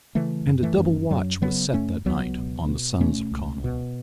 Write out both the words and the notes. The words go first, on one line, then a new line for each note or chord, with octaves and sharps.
And a double watch was set that night on the sons of Conall.
C#3 E3 A3
F#2
E3 A3
F#2
F#2 F#3
C#3 F#3 B3
F#2 A3 C#4
C#2 F#3 B3
B2
B2
B2 A3 C#4
C#2
B2